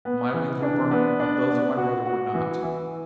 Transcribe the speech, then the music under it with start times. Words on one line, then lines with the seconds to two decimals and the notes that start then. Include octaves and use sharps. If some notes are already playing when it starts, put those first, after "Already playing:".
My wings were burnt, but those of my brother were not....
0.05 B3
0.34 E3
0.62 D4
0.91 B3
1.19 D4
1.49 B3
1.77 F#4
2.05 F#4
2.34 E3
2.63 E3